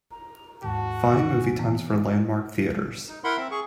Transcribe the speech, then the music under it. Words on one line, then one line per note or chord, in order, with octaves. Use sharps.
Find movie times for Landmark Theatres.
A#5
D#2 G#2 F#4 A5
D#3 D#4 G#5
E3 B3
D#4
E4 A#4 F#5 B5 C6
C4 E5
G#4 C#6